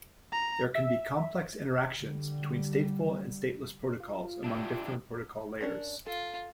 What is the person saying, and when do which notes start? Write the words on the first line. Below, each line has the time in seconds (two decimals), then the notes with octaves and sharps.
There can be complex interactions between stateful and stateless protocols among different protocol layers.
0.32 A#5
0.75 E5
2.00 D3 G3
4.00 F4
4.44 D4 E4 G4
5.61 C#4 D4 A#4
6.06 F4 A4